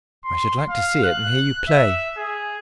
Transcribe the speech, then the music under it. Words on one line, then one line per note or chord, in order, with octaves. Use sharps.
"I should like to see it, and hear you play."
C6
F5
F#6
E5
G#4